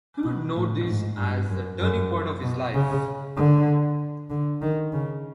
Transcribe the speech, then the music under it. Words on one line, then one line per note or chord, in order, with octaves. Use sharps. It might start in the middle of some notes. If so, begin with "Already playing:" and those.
He would note this as the turning point of his life.
B2
A2
G#2
G2
F#2
F#2
B2
C#3
D3
D3
D#3
C#3